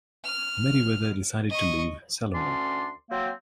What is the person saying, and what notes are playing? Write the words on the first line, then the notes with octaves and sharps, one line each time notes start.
Meriwether decided to leave Salomon.
F6
D#5 C#6
D2 C#4 D4 D5 C6
F#3 A#3 C4